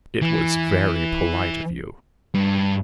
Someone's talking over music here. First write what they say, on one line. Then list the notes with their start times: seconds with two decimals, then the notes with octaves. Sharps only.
"It was very polite of you."
0.22 E3
2.34 G2